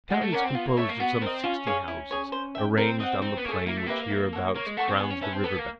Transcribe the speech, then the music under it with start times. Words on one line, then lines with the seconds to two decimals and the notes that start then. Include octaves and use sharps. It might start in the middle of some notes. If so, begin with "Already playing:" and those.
The town is composed of some sixty houses, arranged on the plain which hereabouts crowns the river-bank.
0.10 G#3 F#4
0.21 A3
0.32 C#4 A#4 D5 F#5
0.44 C4
0.54 B3 F4
0.67 A#3
0.77 A3 A4 C#5 E5
0.89 A#3
1.00 B3 F#4
1.21 C4 A#4 D#5
1.43 C#4 F4
1.67 G#4 C#5 F5
1.88 E4
2.11 G#4 C#5
2.32 C5
2.55 E5 G5
2.77 C4 A#4
2.99 C4 D#5 F#5
3.22 C4 D#4
3.37 B3
3.44 A#3 C#5
3.49 A3 G#4
3.66 A#3 E4
3.77 A3
3.86 A#3 G4 B4 E5
4.10 E4
4.33 A4 C#5 F#5
4.55 A#3 C#5
4.67 G#3
4.77 A3 F#5 A5 C#6
4.88 C4
5.00 B3 G#4
5.11 C#4
5.22 C#4 B4 E5 A5
5.33 C4
5.44 B3 A4
5.59 A#3